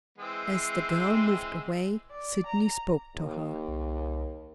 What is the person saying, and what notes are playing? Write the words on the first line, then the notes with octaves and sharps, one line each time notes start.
As the girl moved away, Sydney spoke to her.
E3 G#3 C4
D5
A#5
D#2
C2